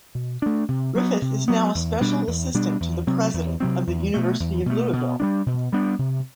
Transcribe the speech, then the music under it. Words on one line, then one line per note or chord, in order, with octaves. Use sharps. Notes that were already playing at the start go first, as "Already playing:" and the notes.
Griffith is now a special assistant to the President of the University of Louisville.
B2
A3 D4
C3
F#3 B3
C3
F#3 B3
E2
B2 G3 D4
E2
B2 G3 D4
E2
C3 F#3 C4
E2
C3 F#3 C4
E2
B2 A3
E2
B2 A3
B2
G3 B3 D4
B2
G3 B3 D4
C3